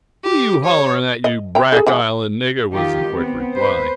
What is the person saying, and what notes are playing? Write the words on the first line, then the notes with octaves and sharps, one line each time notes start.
"Who you holl'rin' at, you brack island niggah?" was the quick reply.
G4
C#5
D#5
G5 A#5
G#4 A4
E3 G#3 F#5
D#3 D#4 F4 G4
B3 C4
B4 C5